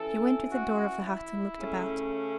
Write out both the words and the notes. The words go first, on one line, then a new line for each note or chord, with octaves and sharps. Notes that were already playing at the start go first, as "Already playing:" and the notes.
She went to the door of the hut and looked about.
Already playing: E3 C#4 A4
F#4
E4
C#3 A3 C#4